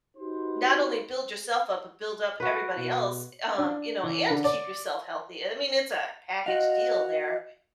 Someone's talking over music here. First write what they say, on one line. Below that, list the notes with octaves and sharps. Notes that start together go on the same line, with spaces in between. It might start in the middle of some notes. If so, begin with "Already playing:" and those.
not only build yourself up, but build up everybody else, um, you know, and keep yourself healthy, I mean, it's a package deal there,
D#4 F#4 G4 B4 C5
F#4 B4
B2
D4
E3
D3
D5
F#4 D#5 F5